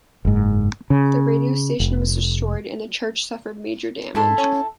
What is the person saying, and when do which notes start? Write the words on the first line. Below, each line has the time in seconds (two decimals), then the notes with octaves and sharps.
The radio station was destroyed and the church suffered major damage.
0.25 F#1 G#2
0.90 C#3
1.80 F1
4.15 G#2 E4 A4 C6
4.38 C#4